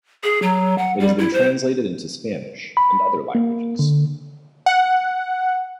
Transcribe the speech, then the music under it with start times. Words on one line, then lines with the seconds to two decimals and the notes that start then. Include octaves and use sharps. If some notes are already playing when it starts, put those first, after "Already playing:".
It has been translated into Spanish and other languages.
0.24 G#4
0.42 F#3
0.78 F#5
1.00 G3
1.19 E4
1.33 C5
2.77 B5
3.35 A#3
3.79 D3
4.66 F#5